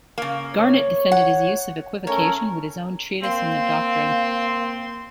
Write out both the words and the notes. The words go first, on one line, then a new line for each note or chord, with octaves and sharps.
Garnet defended his use of equivocation with his own treatise on the doctrine.
C#3 A#3
C#5
F#5
A3 C#4 A#4 C#5
A#3 C4 F5 C6